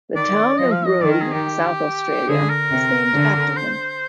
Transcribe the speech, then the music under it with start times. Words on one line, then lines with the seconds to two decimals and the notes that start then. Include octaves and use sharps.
The town of Robe, South Australia is named after him.
0.15 D#3 D5
0.58 F3 D#5
0.72 F5
0.86 D#5
1.00 D#3 D5
1.11 A#4
1.22 G#4
1.33 G4
2.28 D3 G#4
2.50 A#4
2.71 C3
3.13 D3
3.56 C5